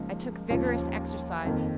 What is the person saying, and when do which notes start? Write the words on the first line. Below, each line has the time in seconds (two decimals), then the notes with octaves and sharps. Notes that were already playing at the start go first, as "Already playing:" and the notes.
I took vigorous exercise.
Already playing: C#2 C#3 F3 A#3 D#4
0.50 D#2 C#3 F3 A#3 F4
1.45 F2 D#3 A#3